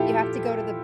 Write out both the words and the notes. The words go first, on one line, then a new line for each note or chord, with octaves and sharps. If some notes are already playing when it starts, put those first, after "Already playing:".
You have to go to the
Already playing: A#2 F3 E4 F4 G4 A4